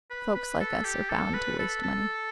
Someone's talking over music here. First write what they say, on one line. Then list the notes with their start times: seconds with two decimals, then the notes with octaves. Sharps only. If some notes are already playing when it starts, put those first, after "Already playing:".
Folks like us are bound to waste money.
0.10 B4
0.35 B4
0.61 A4
0.85 G4
1.10 A4
1.34 B4
1.59 A4
1.83 A4